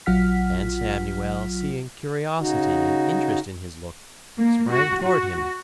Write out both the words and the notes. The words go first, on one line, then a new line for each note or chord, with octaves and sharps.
And Samuel, seeing curiosity and interest in his look, sprang toward him.
A#1 F#3 F4 F#5 F6 B6
C#3 D#4 F#4
A#3
F#4
F#4